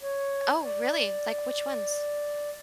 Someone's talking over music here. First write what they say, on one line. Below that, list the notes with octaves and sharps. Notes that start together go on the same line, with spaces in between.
Oh, really? Like, which ones?
C#5
D5